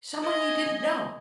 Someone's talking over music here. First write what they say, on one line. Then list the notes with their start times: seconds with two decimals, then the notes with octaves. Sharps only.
Someone you didn't know?
0.23 D#5 G#5